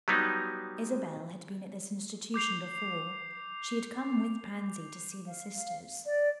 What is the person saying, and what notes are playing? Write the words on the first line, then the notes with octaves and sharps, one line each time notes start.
Isabel had been at this institution before; she had come with Pansy to see the sisters.
F#3 G3 B3 D#4
D6 G6 C7 F7
F5
D5